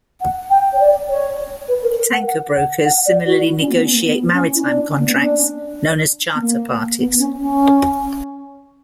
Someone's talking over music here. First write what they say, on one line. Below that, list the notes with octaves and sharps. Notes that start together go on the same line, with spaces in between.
Tanker brokers similarly negotiate maritime contracts, known as Charter Parties.
F#5
G5
C#5
D5
C#5
B4
A#4
A#4
F#5
F#5
F#5
F#5
D5
F#4
E4
C#4
A#3
B3
A#3
B3
C#4
E4
D4
A#3
B3
C#4
D4
B3
A#3
B3
C#4
C#4